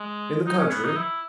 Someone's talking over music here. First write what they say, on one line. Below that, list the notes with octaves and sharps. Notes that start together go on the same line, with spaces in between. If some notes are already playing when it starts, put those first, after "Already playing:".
"In the country?"
Already playing: G#3
D#4
C#4
B3
D#4
E4